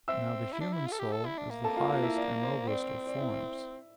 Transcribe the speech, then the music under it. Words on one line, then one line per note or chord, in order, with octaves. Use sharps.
Now the human soul is the highest and noblest of forms.
C4 E5 E6
E4
D4
E4
F4
A4
G4
A4
E4
D4
A#3
A4 A5
F4 F5
F4 F5
E4 E5
D5
C5
C4 D5
D5
E4 E5